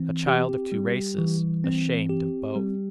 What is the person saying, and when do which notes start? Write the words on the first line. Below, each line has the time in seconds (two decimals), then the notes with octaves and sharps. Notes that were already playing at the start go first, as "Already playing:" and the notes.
A child of two races, ashamed of both.
Already playing: E3 C4
0.27 G4
0.72 G3
1.18 E3
1.64 C4
2.10 G4
2.56 G3